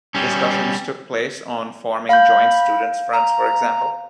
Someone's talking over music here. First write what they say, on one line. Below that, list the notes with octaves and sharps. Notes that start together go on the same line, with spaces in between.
Discussions took place on forming joint students fronts, for example.
G3 C#4
F5 B5 G6
A#5